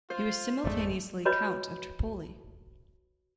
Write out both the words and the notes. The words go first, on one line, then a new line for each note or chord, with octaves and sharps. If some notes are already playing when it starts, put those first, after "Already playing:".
He was simultaneously Count of Tripoli.
F4 C5
G#1 F2 C3 G#3 A3 D5
F#4 B4 C#5 D#5 B5